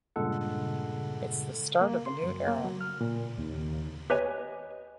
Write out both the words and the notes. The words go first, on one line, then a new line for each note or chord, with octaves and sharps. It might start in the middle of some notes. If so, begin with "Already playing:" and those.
It's the start of a new era.
G2 A#2 C#3 G#3 A4 F#5
A#3
C6
F#2
A#3
F#3
F6
A#2
D#2
G4 B4 C#5 D#5 G#5